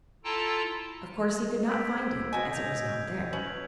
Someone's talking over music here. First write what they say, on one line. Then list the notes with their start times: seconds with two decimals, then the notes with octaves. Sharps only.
Of course he could not find it, as it was not there.
0.24 E4 F4 A4 G5 A5 A#5
1.68 E6 B6 D7
1.92 C5 G#6
2.33 F#4 D#5 G#5
2.51 D#5 G6 G#6 F7
3.33 C#4 B4 F#7